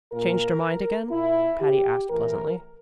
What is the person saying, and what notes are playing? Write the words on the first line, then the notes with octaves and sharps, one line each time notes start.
"Changed her mind again?" Patty asked pleasantly.
A#2 A#4
A#2 E4
G4
A2 E3 A#4